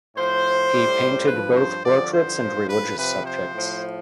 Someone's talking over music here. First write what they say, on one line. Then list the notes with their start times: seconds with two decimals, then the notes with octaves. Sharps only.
He painted both portraits and religious subjects.
0.16 A2 F3 C5
0.72 A2 G3
1.28 G2 F3 B4
1.56 C5
1.85 G2 D3 F3 D5
2.14 C5
2.42 G2 F3
2.70 B4
2.97 C3 F3 B4
3.26 C5
3.54 A2 F3